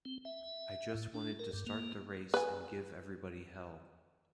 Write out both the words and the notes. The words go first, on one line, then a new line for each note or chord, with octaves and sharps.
I just wanted to start the race and give everybody hell!
C4
E5
A2
D4
A#4
G2
A#3
B4 G#5